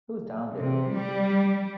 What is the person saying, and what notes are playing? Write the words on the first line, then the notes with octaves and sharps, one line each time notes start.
Who's down there with you?
C3
G3